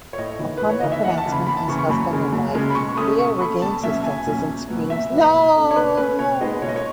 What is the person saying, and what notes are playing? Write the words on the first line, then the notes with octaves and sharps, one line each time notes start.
Upon their pronouncement as husband and wife, Leo regains his senses and screams, No!
C#5
A2 D#5
E3 B3 D#4
A2 B4
C#5
E3 B3 D#4 D#5
E5
E2 F#5
A5
C#3 E3
B5
E2 B5
A5
C#3 E3 C#6
C#6
F#2 B5
C#3 G#3 C#4
F#2
C#3 G#3 C#4
B5
B2 C#6
A3 C#4 D#6
B2 C#6
A3 C#4 B5
E2 A5
B2 F#3 C#4 E5
E2 G#5
B2 F#3 C#4
E2
B2 F#3 B3
E2 E5
B2 F#3 B3
B2
A3 C#4
C#5
B2 B4
A3 C#4 B4
B2 C#5
G#3 B3 D#4 D#5
B2 C#5
D#5
C#5